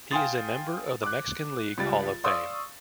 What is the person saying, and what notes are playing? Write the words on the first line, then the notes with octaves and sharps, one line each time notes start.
He is a member of the Mexican League Hall of Fame.
F5 G5 G#5 C6 D#6 A6
D6 F#6
C#2 G3 A6
D5 F5 C6 C#6 D#6 E6